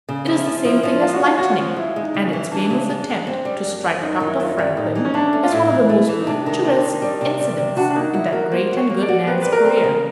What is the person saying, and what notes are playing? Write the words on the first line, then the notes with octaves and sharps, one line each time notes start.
It is the same thing as lightning, and its famous attempt to strike Dr. Franklin is one of the most picturesque incidents in that great and good man's career.
C#3
F3 E4
F3
F3 E4
F3
G#3 F4
F#4
C#4 F4
C#4 F#4
F4
F3
G#3 E4
G#3
D#4
C#3
C#4
E3
E3 D4
C#3
G#3
D2
C4
G3
F#2
C4
F#2 D#4
D#3
E4
F#2 F4
E4
G3
A2 D#4
E3
C#4
E3 D4
A3
F4
A2 E4
E3
A3
E3
D#4
C3 D4
D#3
C4 D4
D#3
G3
C3
G3
C3
D4 F#4
D4
A#3 D#4
E4 F#4
F#4 A#4
A#3 C5
F#4
C#5
A#3
D5
F#4
C4 B4
G3 B4
A#4
C4
A#4
C#3